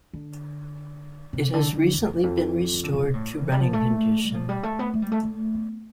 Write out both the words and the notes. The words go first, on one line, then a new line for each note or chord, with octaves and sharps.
It has recently been restored to running condition.
D3
C3
D3
D3
E2
F2
E3
D3
C3
B2
A2
F3
G3
F3
A3
G3
F3
G3
A3
B3
A3
G3
A3
A3
B3